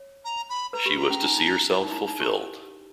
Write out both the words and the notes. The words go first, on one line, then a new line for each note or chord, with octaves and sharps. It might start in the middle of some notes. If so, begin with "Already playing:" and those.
She was to see herself fulfilled.
Already playing: C#5
A#5
B5
B4 A#5
G4 B5
A#5
C#4
D#4
D#4
E4
E4
D#4
E4
D#4
D#4
G4 A#5